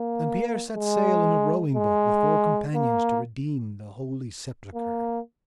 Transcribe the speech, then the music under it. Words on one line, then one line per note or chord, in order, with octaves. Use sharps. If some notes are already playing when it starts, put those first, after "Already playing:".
And Peire set sail in a rowing boat with four companions to redeem the Holy Sepulchre.
Already playing: A#3
G#3
G#3
A#3
A#3